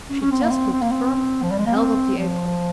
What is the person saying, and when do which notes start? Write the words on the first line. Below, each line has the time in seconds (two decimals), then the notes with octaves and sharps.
She just looked firm and held up the apron.
0.10 C#4
0.21 C#4
0.31 C4
0.42 A#3
0.51 C4
0.72 C4
0.82 A#3
0.91 C4
1.43 F3
1.51 G3
1.58 G#3
1.66 A#3
1.75 C4
2.17 F3